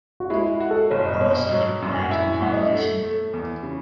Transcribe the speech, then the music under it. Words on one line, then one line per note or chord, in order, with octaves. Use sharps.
Or ascending parietal convolution.
F#4
G#3 E4
E4
F#4
A4
F#1 C#5
D#5
B2 C#5
D#5
F#3
F#2
G#5
F#5
E4 E5
G#5
A2 F#5
D#5
E5
A3
A3
E2
C#3